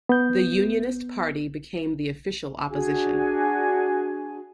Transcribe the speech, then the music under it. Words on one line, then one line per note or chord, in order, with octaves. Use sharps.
The Unionist Party became the official opposition.
B3 G6
D4 F#4 G#4 G#5